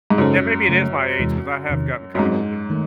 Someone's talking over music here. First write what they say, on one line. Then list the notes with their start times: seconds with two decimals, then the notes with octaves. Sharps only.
Yeah, maybe it is my age 'cause I have gotten kinda older.
0.10 G#2
0.18 F#2 C#3 G#3 D#4 A4 C5
0.68 C#3 F#3 A3 C#4
1.20 E2 C3 E3 G#3
1.69 E2 C3 D#3
2.15 F#2
2.19 G#2 F#3 C4 F#4
2.70 D#3 A3